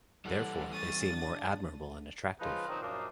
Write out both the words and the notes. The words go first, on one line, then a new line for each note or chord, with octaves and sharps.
Therefore, they seem more admirable and attractive.
E3 G3 E4 A4 F#5
C#4 D#6 A6
D4
C#3 F3 G#3 D#4 F4 B4
A#2 D#3 F3 F#3 C4 D#4
F#2 A#2 F3 A#3 D4 D#4